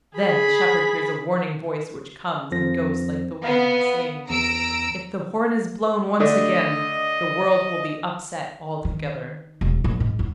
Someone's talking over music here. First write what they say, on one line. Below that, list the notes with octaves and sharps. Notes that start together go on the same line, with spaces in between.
Then the shepherd hears a warning voice which comes and goes like the wind, saying: "If the horn is blown once again, the world will be upset altogether".
G#4 B5
F2 F3 A#6
B3 F5
E2 A#5 E6 D7
D3 A3 D4 D#5
D#3
E1
A#1
G#2
E2